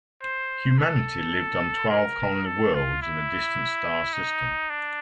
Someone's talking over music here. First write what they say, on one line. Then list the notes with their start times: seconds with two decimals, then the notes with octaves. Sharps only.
Humanity lived on twelve colony worlds in a distant star system.
0.23 C5
0.78 A4
1.90 A#4
2.46 A4
2.75 F4
3.02 E4
4.13 D#4
4.70 D4